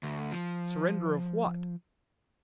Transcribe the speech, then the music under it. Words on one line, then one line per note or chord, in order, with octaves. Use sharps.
Surrender of what?
D2
F3